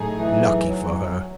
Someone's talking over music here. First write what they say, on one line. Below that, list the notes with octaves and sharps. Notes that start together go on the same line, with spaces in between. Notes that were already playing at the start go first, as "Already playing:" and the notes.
Lucky for her!
Already playing: A2 F#3 A3 D#4 G#4
E3
F#3